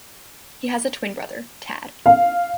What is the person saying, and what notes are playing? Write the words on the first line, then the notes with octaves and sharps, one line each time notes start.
He has a twin brother, Tad.
F5